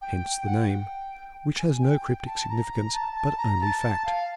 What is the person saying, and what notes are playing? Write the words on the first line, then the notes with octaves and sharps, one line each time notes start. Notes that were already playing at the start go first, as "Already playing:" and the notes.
Hence the name, which has no cryptic significance, but only fact.
G5
F#5
G5
G#5
G5
A5
A#5
A#5
A5
A5
A#5
A5
F5